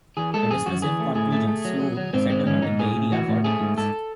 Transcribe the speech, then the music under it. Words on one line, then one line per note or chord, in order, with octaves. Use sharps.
The dismissive conclusions slowed settlement in the area for decades.
E3 G#4
G#3 A4
F#2 G#4
F#2 F#4
E3 G#4
A3
A2 G#4
A3
A3
F#3
F#3
F#3
G#2 C4
G#3 C4
G#2 C#4
G#2 D#4
A2 G#4
A2
E3 F#4
A2
A3 G#4
G#2
G#2 A4